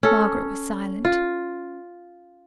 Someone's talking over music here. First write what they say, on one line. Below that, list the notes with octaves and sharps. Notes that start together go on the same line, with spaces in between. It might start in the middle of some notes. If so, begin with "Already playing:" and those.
Margaret was silent.
C#4 A4
F4